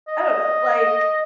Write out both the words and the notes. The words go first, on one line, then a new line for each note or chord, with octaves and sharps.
I don't know, like,
D#5